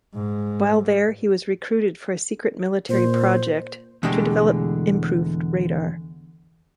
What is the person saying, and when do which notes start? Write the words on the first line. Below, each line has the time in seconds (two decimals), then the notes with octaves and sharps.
While there he was recruited for a secret military project to develop improved radar.
0.14 G#2
2.89 A#2 C5
4.03 E2 B2 D3 G#3 A3 G4